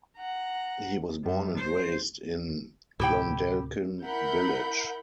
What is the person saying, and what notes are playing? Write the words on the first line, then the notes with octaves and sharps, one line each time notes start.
He was born and raised in Clondalkin Village.
F#5 A#5
F#2
C5
D2 A2 C3 E4 G4 G5
E4 A#4 F#5 B5 G6